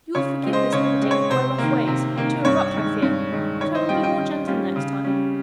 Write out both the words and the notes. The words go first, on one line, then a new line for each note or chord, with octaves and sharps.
If you will forgive this liberty,--my rough ways,--too abrupt, I fear--but I will be more gentle next time.
C#3 C#5
G#3 C4
C5 D#5
C#3 C#5
G#3 C4
C#5
C3 C5
D#3 A#3
C3
D#3 A#3
G2 C#5
D#3 G#3
G2
D#3 G#3
D#3 C#5
C5 D#5
G3 C#4 F4 D#5 G5
D#5 G5
D#3
G3 C#4 F4
C#3
G3 C#4